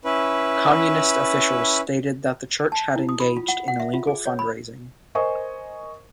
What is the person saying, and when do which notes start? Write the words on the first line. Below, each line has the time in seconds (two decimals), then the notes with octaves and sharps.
Communist officials stated that the church had engaged in illegal fundraising.
0.05 C#4 E4 B4
2.72 A5
2.95 E4
3.09 D#6
3.20 B5
3.36 F4
3.48 F#5
3.68 F#5
3.80 E5
3.94 F4
4.07 G#4
4.26 C#5
4.39 B5
5.15 A#4 C5 D#5 G#5 C#6